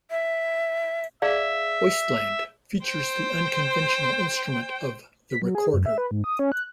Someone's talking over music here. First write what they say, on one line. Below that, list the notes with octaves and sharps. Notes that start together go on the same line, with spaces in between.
"Wasteland" features the unconventional instrument of the recorder.
E5
G#4 D5 E5 F5
C5 G5
B6
F#3
G#4
F#2
E5
B4
G#2
D#6
C#4
F#6